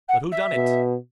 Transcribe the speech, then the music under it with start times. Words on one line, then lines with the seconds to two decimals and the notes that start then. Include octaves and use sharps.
But who done it?
0.08 F#5
0.31 E5
0.54 B2